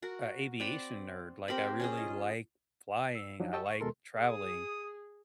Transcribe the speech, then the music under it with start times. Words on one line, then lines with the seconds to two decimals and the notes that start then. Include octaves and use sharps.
a aviation nerd, like, I really like flying, I like traveling.
0.02 F#4 A#4
0.60 C4 D5 F#5 B5
1.48 C4 G4 A#4 B5
1.80 C#4 F4 G#4
1.97 D#5
3.15 E6
3.40 F3 F#3 D4 D#4
3.53 G4 D#5 G5 A5 C#6 E6
3.66 C#6
3.80 D#2 B2 G#3 A4 A#4 C6
4.18 G#4 D#6